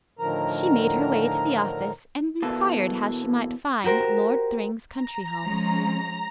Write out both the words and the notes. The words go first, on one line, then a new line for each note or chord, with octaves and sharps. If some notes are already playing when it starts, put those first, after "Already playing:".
She made her way to the office and inquired how she might find Lord Thryng's country home.
A2 D3 D#3 F3 A#4 A#5
B2 E3 A#3 A4
F#4 G4 A#4 C5
A#5
F3 G#3 C#4